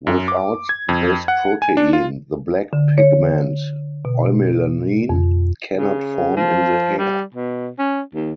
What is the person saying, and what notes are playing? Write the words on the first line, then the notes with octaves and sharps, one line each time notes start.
Without this protein, the black pigment eumelanin cannot form in the hair.
F#2
D6
G#6
F2
F#5
G#5
D4
F4
D3
C#5
B2
F2
C#3
F3
G3
B2
C#4
D#2